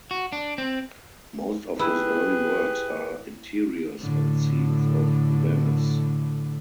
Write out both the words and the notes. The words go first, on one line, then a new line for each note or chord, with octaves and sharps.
Most of his early works are interiors and scenes of Venice.
F#4
D4
C4
E4 G4 G#4 B4
A2 D3